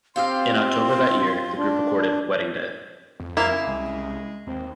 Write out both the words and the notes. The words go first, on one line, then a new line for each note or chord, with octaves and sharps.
In October that year, the group recorded "Wedding Day".
C4 F4 G4 F5 C6
D4
F2
D2 A#3 E4
C#3 C#4
C2 G#3
D#2 C4